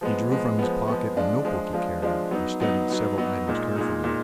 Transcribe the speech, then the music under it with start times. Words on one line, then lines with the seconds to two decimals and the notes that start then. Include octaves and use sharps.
He drew from his pocket a notebook he carried, and studied several items carefully.
0.01 F3 G#3 B3
0.30 F3 G#3 B3
0.59 F3 G#3 B3
0.88 F3 G#3 B3
1.16 F3 G#3 D4 F4
1.45 F3 G#3 D4 F4
1.73 F3 G#3 D4 F4
2.02 F3 G#3 D4 F4
2.31 F#3 B3 D#4
2.60 F#3 B3 D#4
2.88 F#3 B3 D#4
3.18 F#3 B3 D#4
3.47 A#2 G#3 D#4
3.76 A#2 G#3 D#4
4.04 A#2 G#3 D#4